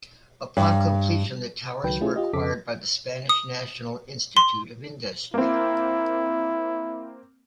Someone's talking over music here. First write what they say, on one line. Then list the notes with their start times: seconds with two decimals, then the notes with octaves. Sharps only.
Upon completion, the towers were acquired by the Spanish National Institute of Industry.
0.57 G2
1.84 C#2 D#3 F#3 B4 G5
2.01 A3 C#4 E4 F4 G#4
2.16 F4 G4 D#5
2.33 F2 C#3 A4 D6 B6
3.29 D#6
4.37 C6
5.34 A#3 C4 E4